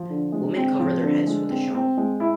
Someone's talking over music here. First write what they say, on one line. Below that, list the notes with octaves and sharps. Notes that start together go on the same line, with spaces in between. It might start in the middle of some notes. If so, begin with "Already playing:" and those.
Women cover their heads with a shawl.
Already playing: F3
D3
G#3
C4
F3
D3
G#3
C4
C4
G#3
E4